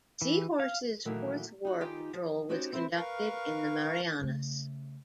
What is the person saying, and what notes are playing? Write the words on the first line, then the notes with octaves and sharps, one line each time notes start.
"Seahorse"'s fourth war patrol was conducted in the Marianas.
E3
F5
A#2 D#3 E3 F#3 A3 A#3
D#4 F#4
D#3 D#4 F4 G4 G5 G#5
F3
C#4 D#4 F#4 G4 C5 C#5
C4 E4 F4 C5
A#4 B4 F5 C#6
C#3 A3